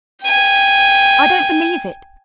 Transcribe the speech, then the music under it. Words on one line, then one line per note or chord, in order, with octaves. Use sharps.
I don't believe it!
G5 G#5